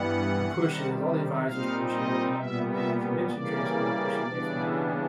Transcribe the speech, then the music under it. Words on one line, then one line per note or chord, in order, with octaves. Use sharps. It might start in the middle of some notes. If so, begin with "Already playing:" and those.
the push is, all the advisors push it, you know, and and if you mention trade school, they push you away from that, and
Already playing: G2 E3 G3 B3 F#5
C3 D#3 G3
A#2 G3 C4 D#4 F5
D#5
A#2 G3 B3 E5
E5
C#3 E3 G3 A#3 D5
C#3 E3 G3 B3 D4